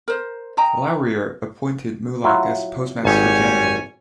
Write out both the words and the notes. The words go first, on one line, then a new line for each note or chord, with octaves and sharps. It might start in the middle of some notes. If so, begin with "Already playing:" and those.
Laurier appointed Mulock as Postmaster General.
A#4 C5
D#5 G5 A#5
F#3 E4 F4
G#1 G3 C#5 G#5